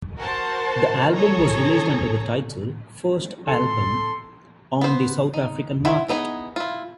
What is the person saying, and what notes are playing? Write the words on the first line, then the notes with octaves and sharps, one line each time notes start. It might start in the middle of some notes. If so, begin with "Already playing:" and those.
The album was released under the title First Album on the South African market.
F#4 A#4 C5 A5
G#4 A4 C#5 A#5
A4 C6
B3 C5
D#4
E4 C5 F#5 G#5
E3 B3 D#4 G#4
E4 F4